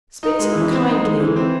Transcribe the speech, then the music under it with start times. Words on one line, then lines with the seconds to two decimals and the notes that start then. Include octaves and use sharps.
Speak to them kindly.
0.23 D#4
0.39 G#3
0.55 E3
0.71 C4
0.88 D#4
1.04 G#3
1.20 E3
1.36 C4